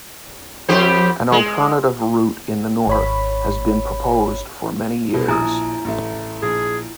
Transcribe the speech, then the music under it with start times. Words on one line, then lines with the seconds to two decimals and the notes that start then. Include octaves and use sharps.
An alternative route in the north has been proposed for many years.
0.69 F2 G4 C5
1.32 G#3
2.87 G#1 C#5 B5
5.14 B2
5.28 A#1 E4 G#5 A#5 D#6
5.85 A1 A3
6.42 A#1 G#4